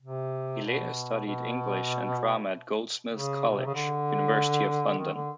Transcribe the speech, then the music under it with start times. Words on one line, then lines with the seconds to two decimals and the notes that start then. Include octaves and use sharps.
He later studied English and drama at Goldsmiths' College, University of London.
0.02 C3
0.63 B2
1.26 B2
3.13 C#3
3.49 B2
3.57 C3
3.66 C#3
3.75 D3
4.99 D#3
5.14 D3